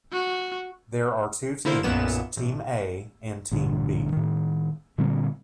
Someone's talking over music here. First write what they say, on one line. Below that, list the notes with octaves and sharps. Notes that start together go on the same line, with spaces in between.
There are two teams - Team A and Team B.
F#4
D3 A#3 E4 A4 C5
B1 F#2 A#2 B3 E7
A1
A1 G2 A#2 D3
A2 D#3
A#2 D3 G3 C4